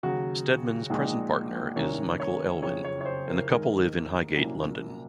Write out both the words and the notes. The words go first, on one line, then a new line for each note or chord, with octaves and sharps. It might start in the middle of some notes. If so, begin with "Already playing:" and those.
Steadman's present partner is Michael Elwyn and the couple live in Highgate, London.
D#2 C#3 F#3 F#4
A#1 A#2 G#3 D#4
C2 C3 D#3 A#3 C#4 C#5
C#5
F#1 F2 C#3 C#5
C#5
C#5
C5
A#4
G#2 D#3 G#3 D#4 A#4
C2 A#2 F#3 A#3 C#4